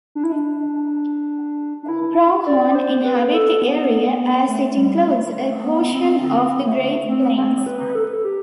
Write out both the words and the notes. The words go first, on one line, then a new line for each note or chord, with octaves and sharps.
Pronghorn inhabit the area, as it includes a portion of the Great Plains.
D4
E4
D4
D4
E4
D5
C5
B4
A4
B3
A3
G3
A3
A3
B3
C4
C4
A3
C4
C4
B4
A4
B4
A4
G4